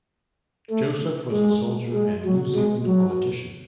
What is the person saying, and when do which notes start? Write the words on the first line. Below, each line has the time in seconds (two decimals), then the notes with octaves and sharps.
Joseph was a soldier and New Zealand politician.
0.70 A3
1.32 G#3
1.94 G#3
2.25 F#3
2.55 G#3
2.86 F#3